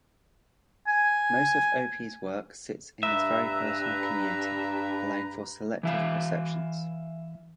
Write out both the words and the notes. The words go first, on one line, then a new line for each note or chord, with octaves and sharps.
Most of Opie's work sits in this very personal community, allowing for selective perceptions.
G#5
G2 B4 E5 A#5
E3 E5 F5